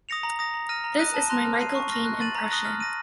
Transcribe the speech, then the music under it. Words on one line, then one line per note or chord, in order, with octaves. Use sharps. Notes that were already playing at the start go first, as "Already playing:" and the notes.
This is my Michael Caine impression.
D#6 A#6 C#7 F7
A#5
D#6 A#6
A#5
F6 A#6 D#7
A#5
D#6 F#6 A#6 D#7
A5
C6 F#6 A#6 F7
F6
C7 D#7
C#6
F6 A#6
F#6
A6 D#7 F#7
A#5
D#6 F#6 A#6
F6
A#6 D#7